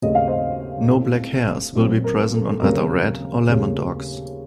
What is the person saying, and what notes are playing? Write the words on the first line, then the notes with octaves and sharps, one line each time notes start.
No black hairs will be present on either Red or Lemon dogs.
D#2 C#3 A3 C4 D#5
F5
C5 D#5
A2 A3 C4
A#2 F#3 C4
A#4
A4
D#2 C#3 F#3 C4 A#4
D#2 C#3 A3 C4